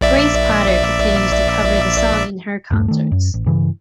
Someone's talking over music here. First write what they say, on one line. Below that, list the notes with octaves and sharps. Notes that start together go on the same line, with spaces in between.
Grace Potter continues to cover the song in her concerts.
A#1 D5 E5
D#1 G2 A3
D#3 A3
F#2
A1
G2 C#3 E3